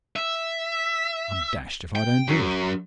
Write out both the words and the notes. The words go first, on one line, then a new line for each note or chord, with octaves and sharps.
'I'm dashed if I don't do it.
E5
G5
F#2